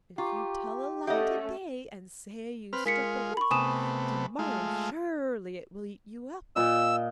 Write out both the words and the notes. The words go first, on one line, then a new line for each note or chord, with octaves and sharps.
If you tell a lie to-day and say you struck a wolf, to-morrow surely it will eat you up.'
F4 G4 A#5 C#6 D6
A3 C#4 G4 A4 D#5 E5 F#5
C4 B4 F6
G#3 F4 A#4 B6 C#7
B5 C#6
C3 A3 B3 G#5 D#6 E7
G#3 A3 F4
A#2 D#5 E6